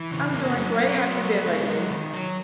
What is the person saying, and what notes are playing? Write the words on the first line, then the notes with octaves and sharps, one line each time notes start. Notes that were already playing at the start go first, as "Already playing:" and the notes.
I'm doing great. How've you been lately?
Already playing: E3
C#3
A#3
F#3
B3
F#3
B3
G#3
F#3
D#3
F#3